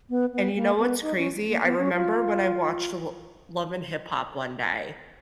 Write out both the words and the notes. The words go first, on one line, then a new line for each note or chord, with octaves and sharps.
and you know what's crazy, I remember when I watched the Lo Love and Hip Hop one day,
B3
B3
A#3
B3
D#4
C#4
A#3
B3
C#4
F4